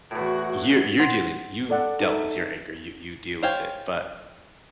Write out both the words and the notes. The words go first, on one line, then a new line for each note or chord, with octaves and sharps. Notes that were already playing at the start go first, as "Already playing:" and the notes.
you're you're dealing you dealt with your anger, you you deal with it, but,
E2 A2 F#4
C5 F#5 C6
A4 D5 F#5
D#4 A4 E5
C5 C#5 F5 G5 G#5